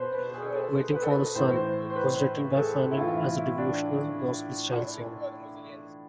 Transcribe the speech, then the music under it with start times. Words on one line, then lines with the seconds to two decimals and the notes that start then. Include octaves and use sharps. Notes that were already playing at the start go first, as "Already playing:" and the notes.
"Waiting for the Sun" was written by Fanning as a devotional, gospel style song.
Already playing: B2 B4 C5
0.14 B4
0.34 G#4
0.54 A4
0.95 B4
1.02 A4
1.10 B4
1.35 A2 E3 C5
1.56 C5
1.90 C5
1.96 B4
2.16 C5
2.51 G#4
2.56 A4
2.91 E4
2.97 A2 E3 F4
3.17 E4
3.37 E4
3.58 D4